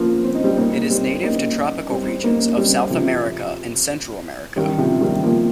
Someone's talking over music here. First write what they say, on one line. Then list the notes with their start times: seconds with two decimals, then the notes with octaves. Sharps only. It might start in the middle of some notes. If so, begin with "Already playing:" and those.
It is native to tropical regions of South America and Central America.
Already playing: F3 A#3 C4
0.24 C4
0.35 D#4
0.44 G3 C4
0.57 A#3 D#4
0.90 G3 C4
1.24 A#3 D#4
1.91 G3 C4
2.24 A#3 D#4
2.57 G3 C4
2.90 C3 F3
4.56 D#3 G3
4.78 C3 F3
5.00 D#3 G3
5.23 F3 A#3